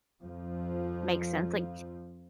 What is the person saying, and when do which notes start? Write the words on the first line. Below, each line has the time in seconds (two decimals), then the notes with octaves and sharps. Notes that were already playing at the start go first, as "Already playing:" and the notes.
Makes sense, like,
0.22 F2 F3